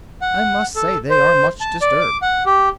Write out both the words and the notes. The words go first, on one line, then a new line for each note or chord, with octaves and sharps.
"I must say they are much disturbed."
F#5
A4
C5
A5
D5
D6
F#5
G4